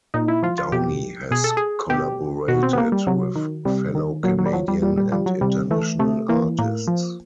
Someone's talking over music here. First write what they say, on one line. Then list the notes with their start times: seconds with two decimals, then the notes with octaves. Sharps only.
Downie has collaborated with fellow Canadian and international artists.
0.14 A#2 D#4
0.28 E4
0.43 F3 F4
0.58 F4
0.72 B2 G4
1.31 B2 G#4
1.44 A4
1.57 G#4
1.90 B2 G4
2.48 B2 F#4
2.63 C4
2.73 B3
2.78 A#3
2.92 G3
3.07 C3 F#3
3.36 D#3
3.65 C3 G3
3.95 D#3
4.23 A#2 F#3
4.39 F#3
4.46 G3
4.53 F3 F#3
4.68 G3
4.82 A#2 G3
4.97 G3
5.12 F3 G3
5.26 F#3
5.41 C3 G3
5.71 E3 A3
5.99 C3 A3
6.29 E3 A#3
6.59 A2 A#3
6.88 F3